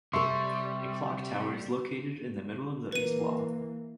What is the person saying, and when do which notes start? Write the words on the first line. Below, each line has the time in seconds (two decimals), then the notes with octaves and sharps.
A clock tower is located in the middle of the east wall.
0.13 C3 G3 A4 E5 C6 C#6
2.92 E3 A#3 B4 D#7